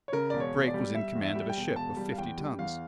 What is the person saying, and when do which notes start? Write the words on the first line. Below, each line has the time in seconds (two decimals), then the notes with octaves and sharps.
Drake was in command of a ship of fifty tons.
0.08 C#5
0.13 C#3 A#4
0.30 E1 D5
0.40 C#5
0.54 E1
0.67 D5
0.74 G3
0.95 G3 E5
1.15 E2
1.22 E5
1.35 G3
1.50 G5
1.57 E1
1.76 E1 A5
1.97 G3
2.12 F5
2.18 E2 G5
2.38 G3
2.59 E2 F5